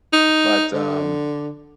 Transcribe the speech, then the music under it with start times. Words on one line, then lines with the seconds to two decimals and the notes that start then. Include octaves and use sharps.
But, um,
0.13 D#4
0.74 D3